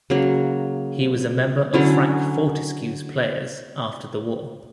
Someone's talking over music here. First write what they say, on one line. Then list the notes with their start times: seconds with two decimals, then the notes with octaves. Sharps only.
He was a member of Frank Fortesque's Players after the war.
0.10 C#3 F#3 A#3
1.74 D3 F#3 C#4 E4